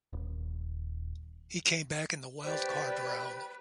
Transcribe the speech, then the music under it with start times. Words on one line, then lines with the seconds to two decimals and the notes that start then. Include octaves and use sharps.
He came back in the wildcard round.
0.13 D#1
2.44 G4 B4 C5 D5